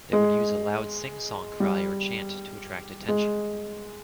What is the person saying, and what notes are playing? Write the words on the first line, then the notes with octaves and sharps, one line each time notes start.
They would use a loud sing-song cry or chant to attract attention.
G#3
G3
G#3